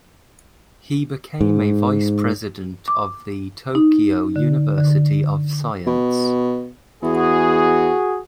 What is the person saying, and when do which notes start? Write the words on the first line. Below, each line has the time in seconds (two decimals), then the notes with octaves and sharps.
He became a Vice President of the Tokyo University of Science.
1.41 G#2
2.88 D6
3.75 D#4
4.36 D3
4.78 D3
5.87 B2
7.03 E2 F#4 G#4